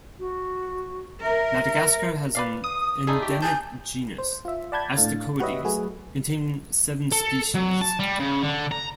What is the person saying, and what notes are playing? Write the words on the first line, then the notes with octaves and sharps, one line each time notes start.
Madagascar has an endemic genus, "Astacoides", containing seven species.
F#4
A#4 E5
B4 D5 F5
D#6
G3 A3 D#4 G#4
G4
G#5 A5 G6
C5
F4 E5
D5 F#5 A5 B5 G6 G#6
A2 D4 A4 F5 A6
F#4 G4 B4 C#5 D#5 E5
F#3 A3 F#4 G#4 B4
A4
F#3
A5
G3
C#3
D3
A#5